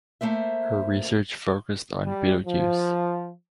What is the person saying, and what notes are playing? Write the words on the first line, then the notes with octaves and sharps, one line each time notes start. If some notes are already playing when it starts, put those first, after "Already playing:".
Her research focussed on Betelgeuse.
A3 A#3 C5 E5
G3
F3